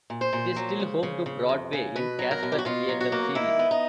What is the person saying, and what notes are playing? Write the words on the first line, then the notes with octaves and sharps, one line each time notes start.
It is still home to Broadway in Casper theatre series.
A#2
C5
A#2
F#3
C#3
C#3
C#3
F2
C#3
B2 B4
F#3
A#4
B2
G4
F#4
B2 F4
F#3
F#4
A#3
D#3 E4
B3
D#4